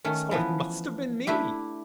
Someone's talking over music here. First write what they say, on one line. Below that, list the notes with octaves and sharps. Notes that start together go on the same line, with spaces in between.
So it must have been me!
D#3 A3 C#4
E3 F3 B3
A3 D4 E4 G4